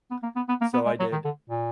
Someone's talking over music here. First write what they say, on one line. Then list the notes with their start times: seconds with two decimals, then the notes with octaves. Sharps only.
So I did.
0.11 B3
0.23 A#3
0.36 B3
0.48 B3
0.61 A#3
0.73 B3
0.86 G#3
0.99 F#3
1.12 D#3
1.25 D3
1.50 A#2